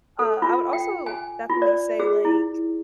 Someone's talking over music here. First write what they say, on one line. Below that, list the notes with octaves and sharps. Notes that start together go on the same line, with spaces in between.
Uh, I would also definitely say, like,
A4
F4
G5
G#5
F4
D5
G#4
E4